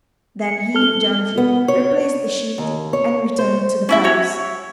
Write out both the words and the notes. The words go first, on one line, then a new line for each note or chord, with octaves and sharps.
Then he gently replaced the sheet and returned to the palace.
C#7
A4 F6 G7
B3
C#5
D#2
C#5
C5
C#4 E4 E5
F#4 C#5